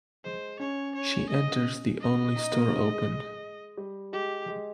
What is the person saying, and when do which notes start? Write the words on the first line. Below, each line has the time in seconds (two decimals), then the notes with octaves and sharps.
She enters the only store open.
0.24 G#3 C5
0.59 C#4 C#5
0.95 C#5
1.30 D#5
2.01 D#5
2.36 D#4
2.54 A#3
2.72 G#3
2.89 G#3
3.77 G3
4.12 G#3 G4
4.49 G#3